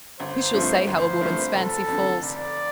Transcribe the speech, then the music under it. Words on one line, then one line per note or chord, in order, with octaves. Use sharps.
Who shall say how a woman's fancy falls?
G1 C5
G2 F3 A3 C4
G1 C5
G2 F3 A3 C4
F1 A4
F2 D3
F1 D5